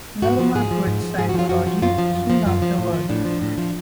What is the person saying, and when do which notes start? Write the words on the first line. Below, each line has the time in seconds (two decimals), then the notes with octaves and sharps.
Lerma quit Scientology soon afterward.
0.22 G#2 F#4
0.39 F3
0.55 G#2 G#4
0.71 F3
0.87 G#2
1.02 F3
1.18 G#2 G#4
1.29 F#4
1.34 F3 F4
1.49 F#2 F#4
1.66 F3
1.82 F#2 F4
1.98 F3
2.15 F#2
2.30 F3
2.46 F#2 F4
2.62 F3
2.78 A2
2.93 F3
3.09 A2 D4
3.25 F3
3.41 A2
3.58 F3